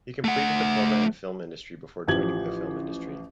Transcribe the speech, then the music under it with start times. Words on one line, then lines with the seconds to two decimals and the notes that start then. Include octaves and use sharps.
He completed diploma in film industry before joining the film industry.
0.24 A3 F#5
2.07 A1 F3 G4 G#6 F#7